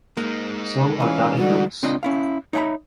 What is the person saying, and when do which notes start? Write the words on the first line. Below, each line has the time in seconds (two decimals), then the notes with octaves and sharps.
So are dotted notes.
0.17 G#3 A#3 D#4
1.00 E3 C#4 B4 F5
1.37 D3 G3 F#4
1.83 C#2 C4 D4 F4 D#5
2.03 C#4 E4 F5
2.53 D#4 C#5 E5 F#5 A#5 B5